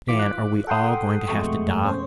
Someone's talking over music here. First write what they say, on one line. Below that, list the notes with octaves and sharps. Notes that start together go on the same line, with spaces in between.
Dan, are we all going to have to die?
E3 F4 D6 B6
F#6
A4 F#5 G5 C6 D#6
F2 B2 G#3 A3 C#6
C#4 C5